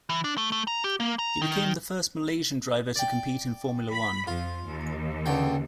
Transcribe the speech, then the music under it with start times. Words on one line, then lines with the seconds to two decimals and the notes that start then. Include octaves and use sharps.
He became the first Malaysian driver to compete in Formula One.
0.09 E3
0.24 D4
0.38 A3
0.52 A3
0.67 A#5
0.84 G4
1.00 A#3
1.19 A#5
1.42 D#3
2.96 D5 G5
3.92 B5
4.27 F2 F4
4.66 D#2
5.26 C#2 D3 G5